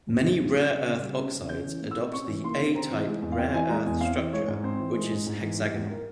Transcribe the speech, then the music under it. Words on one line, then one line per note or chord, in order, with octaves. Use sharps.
Many rare earth oxides adopt the "A-type rare earth structure" which is hexagonal.
F2
C#3
G3
C#4
C#3
C#3
G3
C#4
C#3
C#4 G6
E3
A#3
E6
C3
C#4 C#6
E3
A#3 C6
C3
C4 A#5
E3
G#3
E2
F5
C4 G5
E3 G#5
G#3 A#5
E2 G#5
C4 F5
E3
G#3 C#5
G#2
C4 C5
E3
G#3
G#2
G#2
E3
G3
G#2
A#4